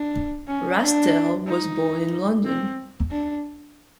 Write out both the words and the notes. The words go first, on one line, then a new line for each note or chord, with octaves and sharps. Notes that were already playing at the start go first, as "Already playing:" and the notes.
Rastell was born in London.
Already playing: D4
C#4
D4
D#4
C4
D4